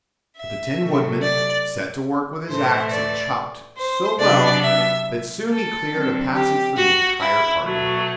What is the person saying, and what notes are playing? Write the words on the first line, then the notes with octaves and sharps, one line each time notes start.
But the Tin Woodman set to work with his axe and chopped so well that soon he cleared a passage for the entire party.
E5
C3 F#3 A3
D5
A2 E3 A3 C5
D5
C5
C3 F#3 B3 D4 D5
E5
A4
D3 F#3 C4
G4
F#4
E4
B2 F#3 A3